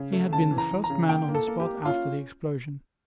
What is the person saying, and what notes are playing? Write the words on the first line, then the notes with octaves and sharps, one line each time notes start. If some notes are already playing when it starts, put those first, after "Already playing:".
He had been the first man on the spot after the explosion.
Already playing: C#3
A3
C#3 A5
E3
A#5
E3
A#5
C#3
A#3 G5
A#3
A4
A#3
G4
A#3
C#4 F4